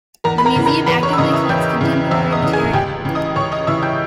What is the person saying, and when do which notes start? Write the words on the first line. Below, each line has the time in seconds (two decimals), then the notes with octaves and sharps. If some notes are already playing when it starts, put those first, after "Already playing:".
The museum actively collects contemporary material.
0.24 E2 A#4 A#5
0.38 B5
0.45 A#4 A#5
0.56 C#3 E3
0.66 A#4 A#5
0.86 E2 B4 B5
1.03 C#5 C#6
1.13 E6
1.18 C#3 E3 D#5 D#6
1.33 E5 E6
1.49 E2 G5 G6
1.81 C#3 E3
2.11 E2 E5 E6
2.32 D#5 D#6
2.42 C#3 E3
2.53 G#4 G#5
2.74 C#2 G4 G5
3.05 C#3 E3
3.15 D#5 D#6
3.36 C#2 C#5 C#6
3.52 D#5 D#6
3.67 C#3 E3 E5 E6
3.82 G5 G6